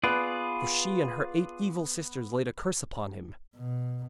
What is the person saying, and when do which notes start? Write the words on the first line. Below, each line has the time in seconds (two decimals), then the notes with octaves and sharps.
For she and her eight evil sisters laid a curse upon him.
0.04 B3 F4 G#4 D5
3.56 B2